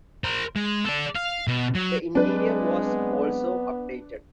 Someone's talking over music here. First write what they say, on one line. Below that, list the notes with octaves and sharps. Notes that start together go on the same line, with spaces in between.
The interior was also updated.
A#4 C5
G#3
A4 D5
F5
B2
F#3
F#3 G#3 C4 D4 B4
B3